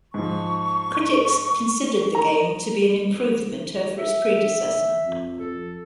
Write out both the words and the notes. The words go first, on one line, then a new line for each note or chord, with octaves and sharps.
Critics considered the game to be an improvement over its predecessor.
G#2 F3 C#6
A#5
E5
F2
A4